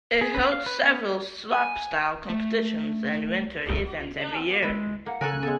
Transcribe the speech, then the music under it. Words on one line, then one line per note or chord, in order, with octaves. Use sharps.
It hosts several Slopestyle Competitions and winter events every year.
G#4
B4
F5
B4
B3
G#5
A3
G#3 E4 B4
A#3 F#5
C#3 A4 A#4 G#5 F#6
G#3 B3 A4